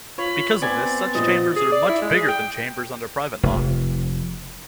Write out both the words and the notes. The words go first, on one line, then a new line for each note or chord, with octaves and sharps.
Because of this, such chambers are much bigger than chambers under private law.
F4 C#5 B5
B3 C4 D5 G#5 A6
A#2 F3 D#5
G#4
D5
E4
G#3
G#4
G5
F1